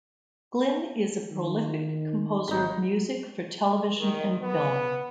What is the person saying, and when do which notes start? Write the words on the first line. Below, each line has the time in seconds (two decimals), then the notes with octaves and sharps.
Glynn is a prolific composer of music for television and film.
1.31 D#3
2.48 G#1 D#4 B5
3.99 D#3
4.42 B3